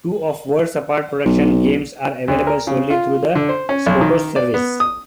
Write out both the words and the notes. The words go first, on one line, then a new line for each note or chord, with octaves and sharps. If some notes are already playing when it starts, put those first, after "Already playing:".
Two of Worlds Apart Production's games are available solely through the Skotos service.
B1
D2
A#4
C#3
F4
D3
C5
C#4
B1
D#3
D5
B3
D#6